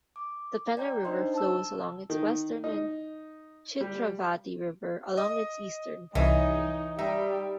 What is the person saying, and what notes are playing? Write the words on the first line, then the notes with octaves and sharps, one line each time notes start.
The Penner River flows along its western and Chitravati river along its eastern boundary.
D6
D5 G5 A#5 G6
D4 D#4 C5 D#5 C6
A5 E6
D#3
D#4
G3
D#5 D#6
C2 E3 D#4 C#5 D#5
G3 D#4 E5